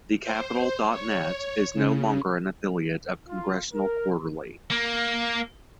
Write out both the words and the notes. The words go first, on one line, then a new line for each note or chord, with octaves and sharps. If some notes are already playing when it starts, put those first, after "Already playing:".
TheCapitol.Net is no longer an affiliate of Congressional Quarterly.
C5
C#5
C#3
F4
A#4
A#3